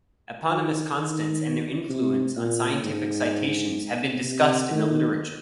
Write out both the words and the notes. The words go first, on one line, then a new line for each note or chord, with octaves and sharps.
Eponymous constants and their influence on scientific citations have been discussed in the literature.
D#3
D#3
C3
A#2
G#2
C3
D#3